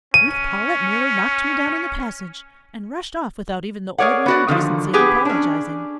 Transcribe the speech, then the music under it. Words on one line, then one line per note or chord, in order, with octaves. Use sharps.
"Ruth Powlett nearly knocked me down in the passage, and rushed off without even the ordinary decency of apologising."
C#4 D#7
G#4 A#4 C#5 D5 F#5
B3 F#4 D5
D3 D#3 F3
B3 G4 G#4 B4
C#4 D4